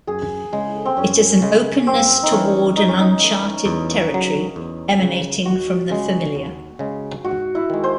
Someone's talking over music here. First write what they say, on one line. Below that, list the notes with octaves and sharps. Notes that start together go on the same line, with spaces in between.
It is an openness toward an uncharted territory emanating from the familiar.
F#2 G#4
C#3 G#3
C4
F#2 C#4
C#3 G#3
F#2 C4
D#4
E3 A3 C#4
F#2 D#4
C#4
D#4
E3 A3
E2
C#3 F#3
E2
C#3 F#3
D#2 F#4
C#3 G#3
D#2
C#3 G#3
G#2 F#4
E4
D#3 G#3
C5